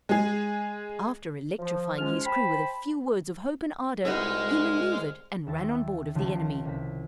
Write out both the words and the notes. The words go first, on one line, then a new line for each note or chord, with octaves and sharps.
After electrifying his crew with a few words of hope and ardor, he manoeuvred and ran on board of the enemy.
G#3 G#4
F3
G#2 F3 G#3 C#4 F4 F6
C5 G5 A5 B5
C2 D#4 F#4 G#4 B4 D#5 F6
D#2 E5 A6
C#2 D#3 F3 A5 C6
C2 C4 B6